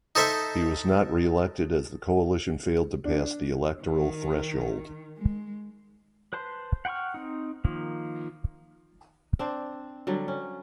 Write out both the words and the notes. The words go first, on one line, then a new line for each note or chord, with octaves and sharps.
He was not reelected as the coalition failed to pass the electoral threshold.
D#4 A4 C5 E5
D4
D#3
G#3
B4 C5 A5 C6
F#5 G5 B5 C#6 F6
C4 D#4
D#3 F3 A#3
C4 D4 C5
D3 F#3 G3
C#4